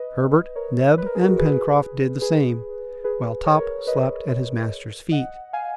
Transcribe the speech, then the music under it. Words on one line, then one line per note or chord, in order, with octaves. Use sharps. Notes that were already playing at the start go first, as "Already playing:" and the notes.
Herbert, Neb, and Pencroft did the same, while Top slept at his master's feet.
Already playing: B4 D#5
A#4 C#5
B4
A#4
G#4
F#4 A#4
G#4 B4
G#4 B4
G#4 B4
A#4 C#5
B4 D#5
D#5 F#5
F5 G#5